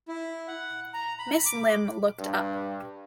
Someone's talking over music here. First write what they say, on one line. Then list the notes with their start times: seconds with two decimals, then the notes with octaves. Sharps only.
Miss Limb looked up.
0.08 E4
0.48 F#5
0.94 A#5
1.19 B5
1.46 D6
2.18 G2